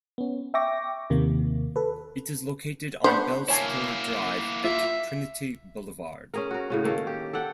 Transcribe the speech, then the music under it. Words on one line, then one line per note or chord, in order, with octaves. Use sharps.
It is located on Bell Spur Drive at Trinity Boulevard.
B3 C#4
E5 G5 C#6 D6 A#6
D#2 C3 D#3 A#3
A4 B4
B3 D4 C5 B5 C#6
A#3 E4 C#5 G#5 A5
F4 E5
C#4 G#4 A#4
F#4 A#4
A2 C#3 C#4
D#3 A#3 C#4 A4
G4
A4 D5 F#5 G5